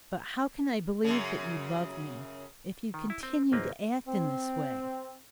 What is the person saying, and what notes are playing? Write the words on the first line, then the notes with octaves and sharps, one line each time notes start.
'But how can I believe that you love me, if you continue to act in this way?
F#2 C#3
D#3
E4
C4
G#1 C#2 A#3 C4 B4
C4